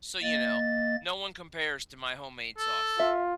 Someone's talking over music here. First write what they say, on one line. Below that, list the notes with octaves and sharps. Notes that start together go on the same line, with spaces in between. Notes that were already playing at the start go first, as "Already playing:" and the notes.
So, you know, no one compares to my homemade sauce.
A#3 D#5 A6
A4
F4 E5